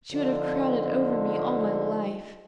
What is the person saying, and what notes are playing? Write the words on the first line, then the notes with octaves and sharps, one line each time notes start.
She would have crowed over me all my life.
D3 F3 D#4